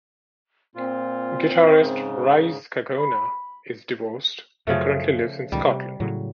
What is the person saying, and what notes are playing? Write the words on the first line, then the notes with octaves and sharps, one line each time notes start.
Guitarist Rise Kagona is divorced and currently lives in Scotland.
A#2 C4 F4 C5
G#2 C#3
B5
F#2 C#3 F3 A3
C#2 B2 D#3 G3
C3
A2 C#3 F#3